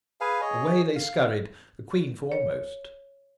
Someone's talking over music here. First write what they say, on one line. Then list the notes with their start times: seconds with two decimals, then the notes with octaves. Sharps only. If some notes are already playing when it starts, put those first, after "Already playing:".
Away they scurried, the queen foremost.
0.21 G#4 B4 F5 G#5
0.41 G#4 C#5 D#5
0.96 F5
2.32 C#5